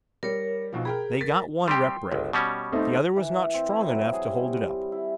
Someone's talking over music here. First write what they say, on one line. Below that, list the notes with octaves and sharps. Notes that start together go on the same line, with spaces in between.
They got one rep ray. The other was not strong enough to hold it up.
G3 A#4 C#5
B1 B2 F3
G#4 A#4 G5 B5
A#4 A6 B6
G3 C4 G4 G5 C6
G1 C#2
B2 G3 C#4
A3 C4 D#4
E3
C4
E4
F#3
G#4
G3
E4